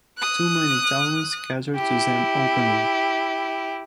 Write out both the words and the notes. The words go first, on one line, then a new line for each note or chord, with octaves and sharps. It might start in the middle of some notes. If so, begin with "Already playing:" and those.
Too many taverns cater to them openly.
D#6 F#6
E4 G4